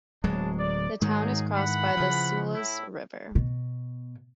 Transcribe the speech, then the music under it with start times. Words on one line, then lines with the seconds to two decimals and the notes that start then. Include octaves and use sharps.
The town is crossed by the Seulles river.
0.24 D1 C#3 F#3 G#3 D4 A5
0.59 D5
1.01 G#2 D#3 F#3 G#3 D#4 G#4
1.56 E3 F#5 B5
1.97 C#3 F3
2.54 A2 E4
3.35 B2